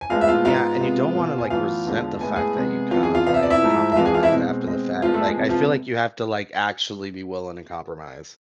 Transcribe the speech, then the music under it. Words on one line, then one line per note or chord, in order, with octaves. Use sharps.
Yeah, and you don't wanna, like, resent the fact that you kind of, like, compromised after the fact. Like, I feel like you have to, like, actually be willing to compromise.
G#5
A2 F3 G#3 B3 F4 F5
E5
F4 F5
G#2 G#3 B3 F4 F5
C3 G#3 B3
B2 B3
G#5
A2 E3 B3 F4 F5
E2 D3 F3 G#3
A2 G#3 B3 G#5
G#4 G#5
C3 G#3 B3
F2 E3 B3 F4 F5
G#4 G#5
F4 F5
C3 F3 B3 F5
E5
D5
E4 E5
G#2 F3 A3
E5
F2 E3 G#3 C4 F4 F5
G#4 G#5
F4 F5
E4 E5
B2 G#3 C4
B2 G#3 C4
A2 F3 G#3 B3 F4 F5
A3 A4
G#3 G#4
C3 G#3 B3
F3 F4